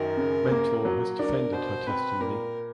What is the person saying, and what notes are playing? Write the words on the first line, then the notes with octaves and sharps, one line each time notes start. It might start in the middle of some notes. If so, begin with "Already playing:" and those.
Mentor has defended her testimony.
Already playing: F#2 D#3 A#4
C#3
A#3
F#3
D4 A#4
B2 C5
C4 B4
A#2 A#4